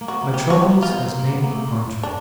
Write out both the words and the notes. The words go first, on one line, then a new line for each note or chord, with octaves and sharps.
My troubles has made me contrary.
A#3
B3 F#4
A#3
B3 G4
C4
F#4
B3 G4
A#3
B3 F4
C4
A#3
A#3
B3
A#3
A3
A#3
D4